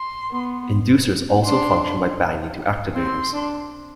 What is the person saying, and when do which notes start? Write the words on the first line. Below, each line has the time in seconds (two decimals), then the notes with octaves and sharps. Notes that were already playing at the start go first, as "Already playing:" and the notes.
Inducers also function by binding to activators.
Already playing: C6
0.31 B3
1.44 D4 C6
2.95 C4 C6
3.33 D4